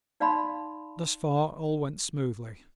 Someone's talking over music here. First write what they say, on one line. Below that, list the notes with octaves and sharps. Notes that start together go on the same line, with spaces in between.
Thus far all went smoothly.
D#4 D5 F5 A5 B5 C6